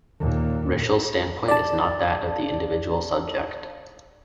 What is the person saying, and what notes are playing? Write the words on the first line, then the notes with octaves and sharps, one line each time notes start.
Ritschl's standpoint is not that of the individual subject.
D#2 A#2
D5 A5